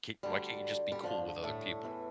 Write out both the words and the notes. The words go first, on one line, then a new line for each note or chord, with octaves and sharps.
Ca why can't you just be cool with other people?
D2 D3 G3
G3
G2 D3 F3
A2 A3
E2 E3